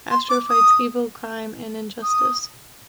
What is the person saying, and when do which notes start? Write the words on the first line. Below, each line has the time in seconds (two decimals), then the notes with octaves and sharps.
Astro fights evil, crime and injustice.
0.11 C6
0.29 D6
0.50 D#6
2.03 D#6